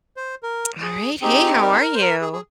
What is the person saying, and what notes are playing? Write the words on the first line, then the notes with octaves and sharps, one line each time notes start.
All right. Hey, how are you?
C5
A#4
G#4
C4 D#4 G4 G#4
A#4
C5
A#4
C5
A#4
G#4
G#4